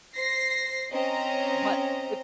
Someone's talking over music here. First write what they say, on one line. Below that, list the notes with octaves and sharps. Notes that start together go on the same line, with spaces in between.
but i
C5 A#6 C7
C4 C#4 D#5 A#5